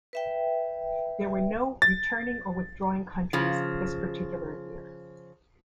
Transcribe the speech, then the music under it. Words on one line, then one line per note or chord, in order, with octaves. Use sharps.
There were no returning or withdrawing countries this particular year.
B4 E5 G5
A6
C#3 F3